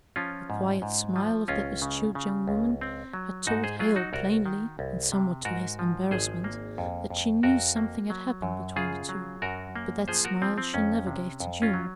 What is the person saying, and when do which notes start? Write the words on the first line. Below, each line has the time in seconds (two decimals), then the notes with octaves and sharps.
The quiet smile of that astute young woman had told Hale plainly, and somewhat to his embarrassment, that she knew something had happened between the two, but that smile she never gave to June.
0.16 F3 C#4 F4
0.50 G#2
0.82 G#2
1.16 F3
1.48 C#2 C#4 F4
1.82 C#3
2.15 C#3
2.48 C#2
2.81 C4
3.13 F#3
3.47 G#2 D#4 F#4
3.64 G#4 C5
3.79 F#3 F4 G#4
3.96 D#4 F#4
4.13 C2 F#4 A#4
4.46 D#3
4.79 C2
5.12 C3
5.45 G#2 F#4 A#4
5.79 F3
6.11 G#1 G#4 C5
6.44 A#3
6.78 F2
7.10 F2
7.43 F2 F#4 A#4
7.76 A#3
8.10 F#3
8.42 F#2
8.76 C#3 F4 G#4
9.09 F#3
9.42 F#2 F#4 A#4
9.76 A#3
10.08 F3 G#4 C5
10.25 F#4 A#4
10.42 F3 C4
10.58 C4
10.74 F2 C#4
11.07 C3
11.40 F2
11.62 C#4 F4
11.74 F#3